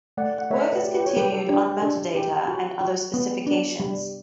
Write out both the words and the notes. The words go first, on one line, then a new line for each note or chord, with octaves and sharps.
Work has continued on metadata and other specifications.
A3 D5 F#5
F#5
A3 C#5 E5
B4 D5
G4
G4 B4
C#5
G3 G4 B4
A4
D4 G4
G4
D4 A4
G4
F#4
F#4
B3
D4
G3